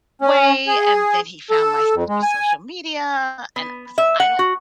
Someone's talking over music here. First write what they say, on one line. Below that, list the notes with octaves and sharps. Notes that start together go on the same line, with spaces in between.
way, and then he found my sister's social media, and 'cause I don't
C#4
G#4
A4
F2
G#3
G#5
B3
E5
F#5
F#4